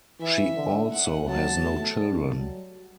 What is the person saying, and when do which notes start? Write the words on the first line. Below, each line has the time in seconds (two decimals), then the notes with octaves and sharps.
She also has no children.
0.20 E3 E5
0.56 D3
0.92 F#5
1.28 F#3 A5
1.64 A3
1.99 G3
2.36 F#3